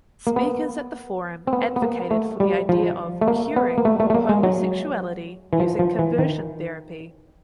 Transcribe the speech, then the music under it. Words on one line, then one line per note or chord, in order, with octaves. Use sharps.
Speakers at the forum advocated for the idea of "curing" homosexuality using conversion therapy.
A#3
B3
C4
B3
B3
A#3
A3
G3
F3
A3
A#3
B3
A#3
A3
A3
A3
A#3
G#3
F#3
E3
F3
F3
E3
D#3